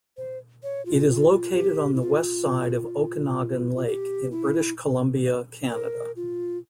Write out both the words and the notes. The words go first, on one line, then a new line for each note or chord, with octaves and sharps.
It is located on the west side of Okanagan Lake in British Columbia, Canada.
C5
C#5
F4
F4
G4
E4
F4
F4
G4
E4
A#4
F4